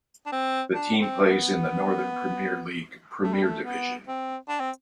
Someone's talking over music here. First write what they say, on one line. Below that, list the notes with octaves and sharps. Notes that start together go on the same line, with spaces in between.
The team plays in the Northern Premier League Premier Division.
D4
C4
D4
C4
A3
B3
A3
G3
A3
B3
C4
D4
C4